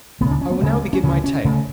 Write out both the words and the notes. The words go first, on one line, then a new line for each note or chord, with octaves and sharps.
I will now begin my tale.
D2 C#3 B3
D4
C#4
B3
D2 C#3 G#3
G#3
C#4
D2 C#3 C#4
C#4
C#3 A3